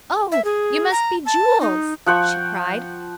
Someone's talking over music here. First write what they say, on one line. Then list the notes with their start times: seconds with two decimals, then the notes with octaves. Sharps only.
"Oh, you must be Jules," she cried.
0.32 E5
0.45 G#4
0.91 A#5
1.26 A5
1.61 D#4
2.06 F3 F#5 G5 C#6